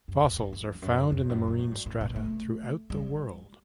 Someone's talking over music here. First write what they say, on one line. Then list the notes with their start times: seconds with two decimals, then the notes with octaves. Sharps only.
Fossils are found in the marine strata throughout the world.
0.08 F#2
0.23 E2
0.38 F#2
0.53 E2
0.75 E2
0.82 F#2
1.12 F#2
1.20 E2
1.29 F#2
1.48 B2
1.59 A2
1.71 G2
1.86 A2
2.01 B2
2.16 A3
2.90 G3